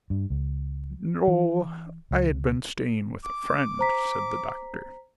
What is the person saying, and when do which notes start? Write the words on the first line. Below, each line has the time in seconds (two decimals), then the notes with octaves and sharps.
"No, I had been staying with a friend," said the doctor.
0.10 G2
0.30 C#2
1.28 E3
2.11 C#2
3.24 D6
3.79 C5 A#5 B6